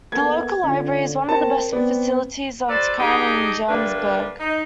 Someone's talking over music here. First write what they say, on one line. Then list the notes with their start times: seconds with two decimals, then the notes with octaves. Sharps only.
The local library is one of the best facilities of its kind in Johannesburg.
0.12 A#3 B3 A4 G#6
0.64 D3 C#4 F4
1.29 C4 A#4 C#5 A5
1.72 B3 C4 D5
2.69 F#4 A4 B4 C5 D5
2.99 D4 D#4 G4 G#4 D#5
3.68 D3 G3 A3 A#3 D4 B4
4.40 D#4